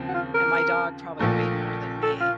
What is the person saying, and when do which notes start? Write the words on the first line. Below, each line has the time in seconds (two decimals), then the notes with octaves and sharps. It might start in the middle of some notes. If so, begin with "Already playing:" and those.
and my dog probably weighed more than me,
Already playing: D#2 C#3 F3 C4
0.09 F#4
0.14 F4
0.34 A#4
1.19 A#1 A#2 F3 A3
2.03 A4
2.20 F4